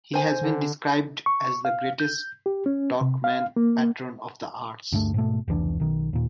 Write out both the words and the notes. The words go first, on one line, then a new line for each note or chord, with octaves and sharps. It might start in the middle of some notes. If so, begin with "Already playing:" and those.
He has been described as the greatest Turkmen patron of the arts.
C5 G#5
D3
C#6
F5
G6
G4
C#4
C3
F5
A#3
D2 G2 G#3 A3
G#2 B2 A3
F1 C#2 E3 D4
B1 D#3
D#2 A#2